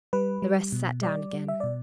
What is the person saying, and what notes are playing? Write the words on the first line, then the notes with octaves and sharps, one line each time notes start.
The rest sat down again.
G3 B4
G3
B2
G3 D5
G3
E5
B2 D5